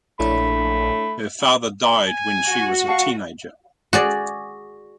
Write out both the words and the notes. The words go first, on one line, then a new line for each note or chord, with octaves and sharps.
Her father died when she was teenager.
A#1 A3 D4 E4 C#5 B5
G#5
F#4
F5 F#5 A5 C#6
F#4 G#4 D5